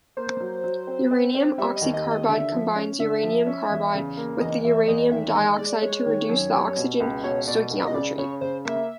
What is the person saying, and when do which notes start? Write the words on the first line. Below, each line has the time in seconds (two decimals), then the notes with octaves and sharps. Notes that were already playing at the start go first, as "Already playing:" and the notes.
Uranium oxycarbide combines uranium carbide with the uranium dioxide to reduce the oxygen stoichiometry.
0.17 A#3 C5
0.40 F#3
0.64 F#3
0.87 C4
1.11 C4
1.35 C4
1.58 G3 E5
1.76 D#5
1.82 D#2
1.94 D#5
2.05 D#2
2.11 D#5
2.29 D3 E5
2.52 F3
2.76 C#4
3.00 D3 E5
3.23 F3
3.46 C#4
3.70 E2
3.94 C#3
4.17 A#3
4.41 E2 D#5
4.65 E2 E5
4.88 E2 D#5
5.12 D#3 E5
5.35 G#3 D#5
5.53 D#5
5.59 G#3 D5
5.82 G#3 C#5
6.06 D#3
6.29 F#2
6.53 G3
6.76 B2
7.00 C#2
7.23 B2 C#5
7.47 B2 D5
7.71 C#2
7.87 D#5
7.94 C#3 D5
8.18 C#3 C#5
8.41 C#3 C5
8.65 A#3 E5